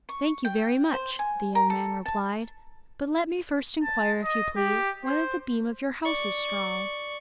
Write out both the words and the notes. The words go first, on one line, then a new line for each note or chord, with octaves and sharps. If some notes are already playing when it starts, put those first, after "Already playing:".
"Thank you very much," the young man replied; "but let me first inquire, if you please, whether the beam of your house is strong."
C#6
G5
C5
G#5
A#4
A4
A5
A5
D#5
G4
C5
D5 C#6